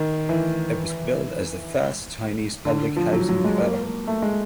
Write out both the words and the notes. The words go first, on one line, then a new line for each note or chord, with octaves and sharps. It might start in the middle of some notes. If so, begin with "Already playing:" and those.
It was billed as the first Chinese public housing development.
Already playing: D#3
E3
D3
F3
F#3
F#3
G#3
A#3
A#3
A3
G#3